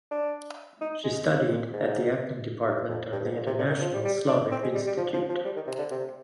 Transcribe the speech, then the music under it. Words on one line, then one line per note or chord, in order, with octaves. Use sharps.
She studied at the acting department of the "International Slavic Institute".
D4
D#4
G#3
C3
A#2
G#2
G2
F2
G2
G#2
A#2
C3
D3
D#3
F3
G3
G3
D4
C4
G#3
G3
G3
F3
F3
F3
G3
D#3
C3
D3
C3